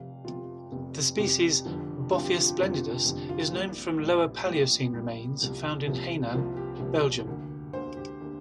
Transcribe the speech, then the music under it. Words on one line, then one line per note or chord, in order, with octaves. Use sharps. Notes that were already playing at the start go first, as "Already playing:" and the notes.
The species "Boffius splendidus" is known from Lower Paleocene remains found in Hainin, Belgium.
Already playing: F1 F2 C3 F5
F1 F2 C3 F4
F1 F2 C3
F1 F2 C3 G4
F1 F2 D3 F3
F1 F2 D3 F3 F4
G4
F4
G4
F1 F2 D3 F3 F4
F1 F2 D3 F3
F4
A#1 A#2 G3 A#3 G4
A#1 A#2 G3 A#3
A#1 A#2 G3 A#3 G4
A#1 A#2 G3 A#3
C2 C3 F3 A#3
C2 C3 F3 A#3
C2 C3 F3 A#3 F4
G4
C2 C3 F3 A#3
D2 D3 A#3
D2 D3 A#3 C5
G4
D3 A#3 G4